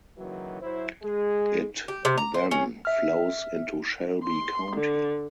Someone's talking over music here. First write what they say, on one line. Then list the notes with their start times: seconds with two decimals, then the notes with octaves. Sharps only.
It then flows into Shelby County.
0.18 F#1 D#3 E3 F#3
0.62 F#3 E4 C5
1.03 G#3 G#4
1.88 G4
2.05 C3
2.18 A#5
2.34 C5
2.51 C#4
2.85 E5 F6
4.23 C6
4.76 D3